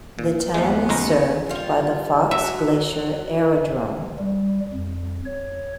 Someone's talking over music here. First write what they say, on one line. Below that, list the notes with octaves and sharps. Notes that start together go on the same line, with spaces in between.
The town is served by the Fox Glacier Aerodrome.
A#2
D#2 F3 G#3 B3
C#2 G#3 A#5
G3 F4
F#3 E5
G3
F2
C#5